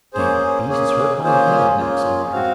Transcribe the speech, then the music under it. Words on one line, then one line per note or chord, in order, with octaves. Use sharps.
"Dam' beasts hurt m'head," Naxa muttered.
A#3 C#4 G#4 C5
A#3 C#4 G#4
A#3 C#4 F4 G#4 C5
A#3 C#4 F4 G#4
C4 F#4 F5